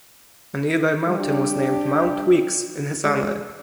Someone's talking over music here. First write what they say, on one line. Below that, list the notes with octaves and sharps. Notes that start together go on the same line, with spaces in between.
A nearby mountain was named Mount Weeks in his honor.
G3 D4 G4
G#3